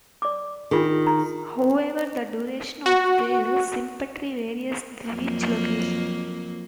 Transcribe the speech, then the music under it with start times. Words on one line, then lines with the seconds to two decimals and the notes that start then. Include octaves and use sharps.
However, the duration of their sympatry varies with location.
0.22 D5 D6
0.71 D#3 D4 F4 G#4
1.07 A#5
2.86 F#4
5.09 F2 F#3 A#3